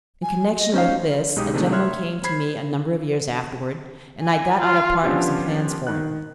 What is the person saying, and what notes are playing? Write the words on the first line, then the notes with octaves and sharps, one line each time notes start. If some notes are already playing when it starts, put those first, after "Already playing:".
In connection with this a gentleman came to me a number of years afterward, and I got out a part of some plans for him.
G#5
D#5
C#4 D#4 C5 F5
B1 G#3 D#4 G4 D#6
C3 D#3 A3 D4 G#4
C#5 E5 C6 F6 F#6 G#6
C5 B5 G#6 C7
G#5
F4
F3 B3 C#4 D4 F4 G4
D#3 F#6